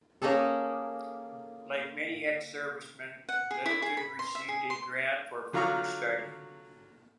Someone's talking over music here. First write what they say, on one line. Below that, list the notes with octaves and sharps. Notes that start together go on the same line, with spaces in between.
Like many ex-servicemen, Lyttelton received a grant for further study.
A#3 C#4 D#4 G#4 A4
F#5
G#4
E4
G#4
B5
C6
E5
G#4
C6
D3 F#3 F4 F5 A#5 C#6